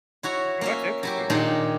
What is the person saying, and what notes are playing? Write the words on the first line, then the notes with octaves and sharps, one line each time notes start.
Oh, that's interesting.
E4 F#4 C#5 A#5
A#3 C#4 E5
F#3 E4 G4
A#2 D#3 D4 D#4 G4 G#4